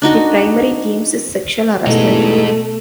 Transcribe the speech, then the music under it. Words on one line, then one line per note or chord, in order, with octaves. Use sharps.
The primary theme is sexual harassment.
D4 D#4 F#4 D#5
E2 G2 B2 G#3 A3 D#4 E4